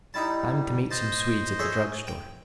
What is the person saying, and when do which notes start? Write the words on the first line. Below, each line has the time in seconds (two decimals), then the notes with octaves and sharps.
I'm to meet some Swedes at the drug-store.
0.14 G3 D#4 E4 A5
0.91 C5 D#5 A5
1.59 G#4 C#5 E5
2.07 G5